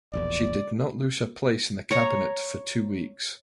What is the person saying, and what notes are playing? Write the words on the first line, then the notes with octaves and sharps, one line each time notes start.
She did not lose her place in the cabinet for two weeks.
E1 A#1 E2 D5
C#5 A#5